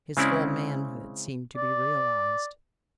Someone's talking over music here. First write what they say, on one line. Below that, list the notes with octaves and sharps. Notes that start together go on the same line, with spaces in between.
His full manhood seemed to be realized.
C#3 G#3 C4 C#4 E4 D5
D5